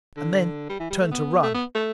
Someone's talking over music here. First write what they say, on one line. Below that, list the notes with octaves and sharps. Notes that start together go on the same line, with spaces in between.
And then turned to run.
D3
G3
E3
G3
A3
B3
A3
B3
A3